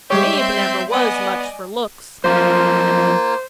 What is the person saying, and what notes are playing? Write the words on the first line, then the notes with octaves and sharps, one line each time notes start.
Abe never was much fur looks.
G3 G#3 G4 C#5 E5 C6 G6
C4
B3 D5 D#5 G#5
F#2 F3 A#3 F4 C5